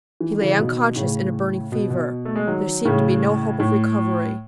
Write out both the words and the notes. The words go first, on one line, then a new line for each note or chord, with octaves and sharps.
He lay unconscious in a burning fever; there seemed to be no hope of recovery.
E3
D#3
C#3 E3
B2 D#3
A2 C#3
B2
B2
A3
G#3
D#3 F#3
A2 C#3
A2